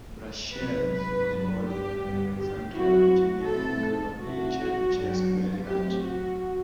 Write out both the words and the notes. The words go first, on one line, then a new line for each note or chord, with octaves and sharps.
Brashares was born in Alexandria, Virginia and grew up in Chevy Chase, Maryland.
C3 F#3 C4 B4
B4
G2 F#3 B3 D4
G4
G2 D3 G3 B3
G4
F#2 F#3 C4 E4 F#4
B2 A3 C4 E4 A4
C3 F#3 A3 E4 F#4
G2 F#3 B3 D4
A2 F#3 C4 G4
F#4